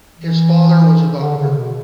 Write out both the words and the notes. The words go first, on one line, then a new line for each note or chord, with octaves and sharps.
His father was a doctor.
E3
D3
C#3
B2